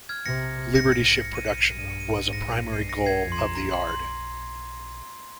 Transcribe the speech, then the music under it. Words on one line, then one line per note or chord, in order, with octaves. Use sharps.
Liberty ship production was a primary goal of the yard.
F6 G#6
C3 A#6 C#7
G#2 A#6 C#7
A#6 C#7
A#6 C#7
C#7
D#7
C#7
D#7
C#7
G2 D#7
C#7
D#7
C#7
G#2 D#7
A#6 C#7
G2 C7 D#7
A#6 C#7
G#6 C7
F2
C6
A#5
A#5
C6
C6